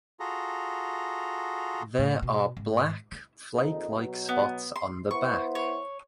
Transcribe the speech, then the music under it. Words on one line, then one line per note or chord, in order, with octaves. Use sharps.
There are black flake-like spots on the back.
F4 F#4 G#4 A4 A#5
A2
B2
G#2
E4
A#1 F2 D#4
B2 F#3
B3
C6
B3 E4 C5 C#6
C#5